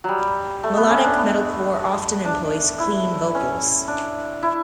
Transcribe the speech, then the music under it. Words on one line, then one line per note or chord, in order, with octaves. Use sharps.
Melodic metalcore often employs clean vocals.
F#3 G3
A3
B3
C#4
D4
B3
D4
E4
C#4
D4
E4